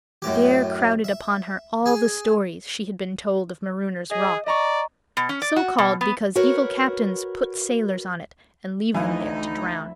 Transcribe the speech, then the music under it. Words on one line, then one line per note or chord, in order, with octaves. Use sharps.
There crowded upon her all the stories she had been told of Marooners' Rock, so called because evil captains put sailors on it and leave them there to drown.
F#2 A2 G4
E5
G#4
G#4 D#5
D5 D#5 A#5 C#6
B2
C#4
D5
F#4
B2
B3
F#4 A#4 B4 C#5
D2 E3 D#4 E4 F5 G#5